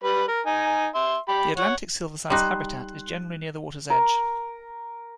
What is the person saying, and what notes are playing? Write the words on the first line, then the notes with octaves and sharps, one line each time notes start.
The Atlantic silverside's habitat is generally near the water's edge.
G3 B4 B5
A#4
D#4 G#5
E5 C6
G4 B5
C#5 F#5
G3 D#4 C6 F#6
A#4